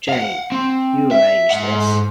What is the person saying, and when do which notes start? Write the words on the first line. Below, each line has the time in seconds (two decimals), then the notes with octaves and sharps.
Jane, you arrange this.
0.09 F5 F#5
0.52 C4
1.11 E5
1.51 G#2 F#5